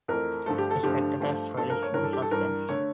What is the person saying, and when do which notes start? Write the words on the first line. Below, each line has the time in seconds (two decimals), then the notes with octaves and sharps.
Spectators relish the suspense.
0.08 F2 E3 A3 A#4
0.46 G2 D3 F3 A3 A4
0.58 G4
0.71 A4
0.83 G2 D3 F3 A3 G4
1.20 G2 F3 A3
1.57 G2 F3 A3 A4
1.70 A#4
1.83 C#5
1.94 G2 E3 G3 A#4
2.04 A4
2.13 G4
2.22 A4
2.31 G2 E3 G3 A#4
2.69 D3 A3 C#5